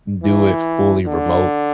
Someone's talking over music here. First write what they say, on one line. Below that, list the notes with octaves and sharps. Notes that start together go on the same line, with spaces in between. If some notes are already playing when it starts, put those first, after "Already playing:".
do it fully remote.
E3
D3